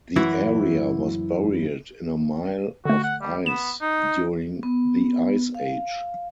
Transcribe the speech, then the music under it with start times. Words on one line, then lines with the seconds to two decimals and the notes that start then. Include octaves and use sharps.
The area was buried in a mile of ice during the ice age.
0.16 F#2 E3 E4 F#4
2.85 D3 A3 F#4
3.03 F#5
3.21 G3
3.46 B3 E7
3.81 D#4
4.63 B3
5.55 F5